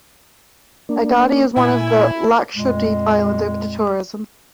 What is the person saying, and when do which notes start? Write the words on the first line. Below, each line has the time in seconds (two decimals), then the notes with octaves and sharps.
Agatti is one of the Lakshadweep islands open to tourism.
0.89 A#3 D4
1.57 A#2 E4 G#5
2.55 F2 A#2 G#3